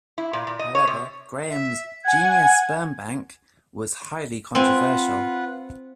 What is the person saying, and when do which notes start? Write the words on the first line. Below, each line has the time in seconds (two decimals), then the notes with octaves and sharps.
However, Graham's "genius sperm bank" was highly controversial.
0.18 E4
0.33 A#2
0.47 A#2
0.59 D#5
0.75 C#5
0.87 C3
1.50 E5
2.05 F#5 G#5 G#6
4.55 C4 F4 B4 F#5 G#5